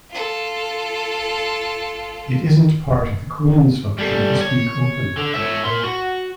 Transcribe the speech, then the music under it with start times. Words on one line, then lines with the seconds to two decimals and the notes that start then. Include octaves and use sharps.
It isn't part of the Queen's function to speak openly.
0.10 F4 A4
3.99 G3 A4
4.40 C#5
5.17 D3
5.34 C#5 E5
5.65 A#4 C6
5.83 F#4